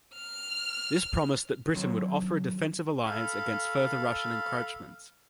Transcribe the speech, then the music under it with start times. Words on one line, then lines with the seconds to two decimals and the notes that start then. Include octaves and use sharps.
This promised that Britain would "offer a defensive alliance against further Russian encroachments".
0.15 F6
1.73 D3 D#3 F#3 C4 C#5
3.06 A4 F5 B5